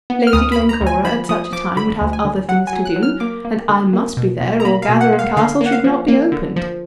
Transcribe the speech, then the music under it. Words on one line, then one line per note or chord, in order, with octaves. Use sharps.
Lady Glencora at such a time would have other things to do, and I must be there, or Gatherum Castle should not be opened.
B3
F6
D2 D#6
B5
D2
A#5
D2
G#5
F3 B5
F3 D#6
F3 D6
D3 B5
D2
G#5
D3
F#3 F#5
G#5
F#3
F#6
F#3
F6
A#3 D6
A#3
D3
A#3
B2
B2
A#5
A#3 B5
F5
B2
F#5
A#3
F5
D3 F5
A#3
F#5
F5
F3
A#3
D3
F3